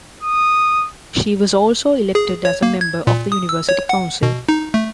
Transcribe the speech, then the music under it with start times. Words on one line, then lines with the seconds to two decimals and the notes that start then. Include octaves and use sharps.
She was also elected as a member of the University Council.
0.23 D#6
2.15 G#4
2.45 C#5
2.62 A#3
2.81 G#6
3.07 A#2
3.32 D#6
3.49 E6
3.69 C#5
3.89 F#5
4.23 B2
4.49 D#4
4.74 A3